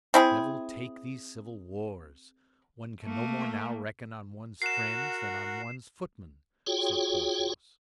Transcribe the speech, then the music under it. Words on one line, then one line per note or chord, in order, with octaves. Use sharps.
"Devil take these civil wars! one can no more now reckon on one's friends than on one's footmen," said Porthos.
C4 E4 G#4
A3 A#3
F#4 A#4 F#5 C7 E7
F4 F#4 G#4 C#5 G5